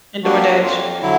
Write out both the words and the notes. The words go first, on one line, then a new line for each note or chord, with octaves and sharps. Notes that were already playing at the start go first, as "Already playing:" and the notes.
And DoorDash
F#3 A#3 D4 F#4
G4
F#4
F2 F4
D3 F#3 E4